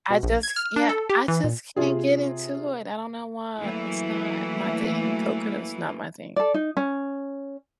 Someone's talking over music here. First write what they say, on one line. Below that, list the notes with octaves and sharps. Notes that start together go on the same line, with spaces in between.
I just c Yeah, I just can't get into it, I don't know why, it's not my thing, coconut is not my thing.
B2
A#1
G#6
F6
D4
A4
G4
E3
A#2
C3 F4 G#4
E3 F#3 A3 A#3 E4
A4 D5
D#4
C#4